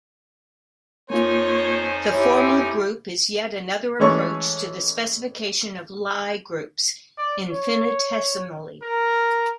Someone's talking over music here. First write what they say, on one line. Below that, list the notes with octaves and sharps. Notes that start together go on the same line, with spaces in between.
The formal group is yet another approach to the specification of Lie groups, infinitesimally.
F2 A#3 D#4 F4 C5 C#5 G#5
E4 G4 C#5
E3 G#3 A3 C#4 C#6
D5
C#5
A#4